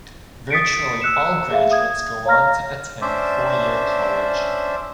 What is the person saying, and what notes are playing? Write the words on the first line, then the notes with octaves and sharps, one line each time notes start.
Virtually all graduates go on to attend four-year college.
D#6 A6 B6 C#7 D7
E6 F#6 C#7 E7
G#4 E5 F5
D#6 G#6
C#5 F5 A#5 F6 A#6
C#4 D4 C5 D5 E5